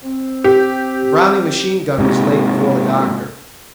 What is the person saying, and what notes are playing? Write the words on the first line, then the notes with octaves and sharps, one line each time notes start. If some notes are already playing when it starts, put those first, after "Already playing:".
The Browning machine-gun was laid before the doctor.
C4
G4
G#2 C3